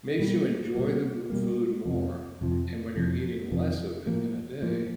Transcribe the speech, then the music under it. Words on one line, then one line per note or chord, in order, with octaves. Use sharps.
makes you enjoy the m food more. And when you're eating less of it in a day,
B2 G3 A#3
B2 G3 A#3
B2 G3 A#3
F2 C3 F3
F2 C3 F3
F2 C3 F3
F2 C3 F3
A2 F3 A#3
A2 F3 A#3